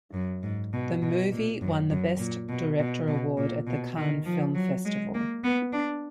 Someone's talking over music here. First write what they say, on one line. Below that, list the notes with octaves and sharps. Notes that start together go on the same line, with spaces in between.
The movie won the Best Director award at the Cannes Film Festival.
F#2
G#2
B2
B2
A#2
F#2
F#2
A#2
B2
B2
B2
A#2
B2
D#3
F3
F#3
G#3
A#3
B3
D4